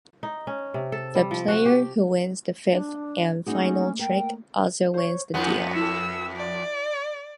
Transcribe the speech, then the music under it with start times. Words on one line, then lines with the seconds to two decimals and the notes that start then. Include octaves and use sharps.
The player who wins the fifth and final trick also wins the deal.
0.23 D#4
0.47 C#4
0.74 C3
0.92 A4
1.15 G3
1.31 F3
1.48 F#4
1.65 G4
2.70 D4
3.47 A3 A#3 C#4 D#4 F#4 G#4
3.99 A#4 G5
4.94 C5 C#5
5.34 F2 B3 D4 E4 F#5
5.75 E4 A4 E6
6.37 D5